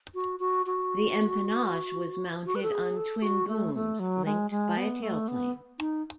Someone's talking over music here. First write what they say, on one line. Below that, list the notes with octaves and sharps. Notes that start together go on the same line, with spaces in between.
The empennage was mounted on twin booms linked by a tailplane.
F#4
F#4
F#4
F#4
B4
A4
G#4
A4
F#4
A3
A3
F#3
G#3
G#3
B3
A3
B3
D#4